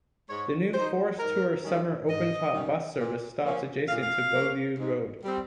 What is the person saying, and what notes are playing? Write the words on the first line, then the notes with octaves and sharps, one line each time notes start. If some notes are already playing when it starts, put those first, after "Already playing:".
The New Forest Tour summer open top bus service stops adjacent to Beaulieu Road.
G#2 C#5
D#3 G#3 D#4 C5
G#2 A#4
D#3 G3 C#4
G#2 D#5
D#3 G3 C#4
A#2
F3 A#3 C#4
A#2 F5
F5
F3 A#3 C#4
G#2
G3 C4